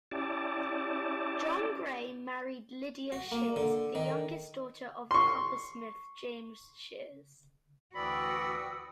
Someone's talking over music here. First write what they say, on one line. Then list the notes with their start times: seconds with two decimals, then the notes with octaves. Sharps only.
John Gray married Lydia Shears, the youngest daughter of the coppersmith James Shears.
0.11 C#4 E4 G4 D5 A5
3.12 F#4
3.32 A#3
3.56 D3
3.95 D#3
5.11 C6 C#6
7.95 D2 E3 F#4 D5 G5 B5 D#6 E6